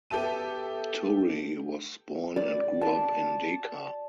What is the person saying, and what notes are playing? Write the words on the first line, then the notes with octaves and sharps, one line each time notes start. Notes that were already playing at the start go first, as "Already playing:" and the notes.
Toure was born and grew up in Dakar.
B3 G4 A4 E5 A5 D#7
D5
A5